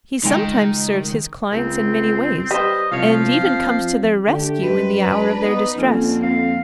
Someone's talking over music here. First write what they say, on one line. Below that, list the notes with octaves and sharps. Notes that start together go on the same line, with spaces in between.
He sometimes serves his clients in many ways and even comes to their rescue in the hour of their distress.
C#2 D#3 G#3 G5
C#2 C4
G3 B4 C5 D#5
C2 F3 C#5 F5
F2
D3 A3 G4
F#2 G#3 B4
D4 A#5
B3 D#4
F2 D3 A#3 C4 C#4
F5